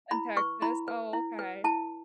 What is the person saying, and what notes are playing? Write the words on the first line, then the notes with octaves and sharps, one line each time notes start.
in Texas? Oh, okay.
E4 B5
B4 C#6
E4 B5
B4
E4
B4
E4 A5